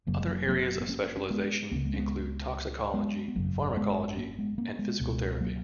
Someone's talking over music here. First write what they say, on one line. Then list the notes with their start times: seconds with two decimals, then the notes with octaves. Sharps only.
Other areas of specialization include toxicology, pharmacology, and physical therapy.
0.06 F#1 F#2 C#3 F#3 A#3
0.20 G#3
0.27 F#3 A#3
0.48 F#3 A#3
0.81 B3
0.89 A#3 C#4
1.17 C#4
1.31 G#3 B3
1.71 C#2 C#3 A#3 C#4
1.85 G#3 B3
1.94 C#4
1.98 G#3 B3
2.94 G#3 B3
3.28 B3
3.35 G#1 F#2 C#3 F#3 A#3
3.77 G#3 B3
4.17 A#3 C#4
4.39 G#3 B3
4.58 A#3 C#4
4.79 G#3 B3
5.00 C#2 B2 G#3 B3
5.41 F#3 A#3